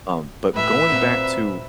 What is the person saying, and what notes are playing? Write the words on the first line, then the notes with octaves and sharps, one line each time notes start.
Um, but going back to
A2 B4 E5 A5
A#2 C4 F#4